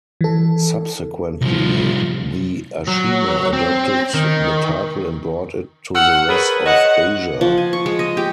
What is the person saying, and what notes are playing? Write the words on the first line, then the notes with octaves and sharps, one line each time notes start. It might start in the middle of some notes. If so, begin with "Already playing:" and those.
Subsequently the Ashina adopted the title and brought it to the rest of Asia.
E3 A4
C2 F3
F#3
C4
D#3
F#5 E6 F6 C#7
G#4 A#4 B4 C#5
D#5 F#5
F3
G#5
C#6
G#3
D#5
G4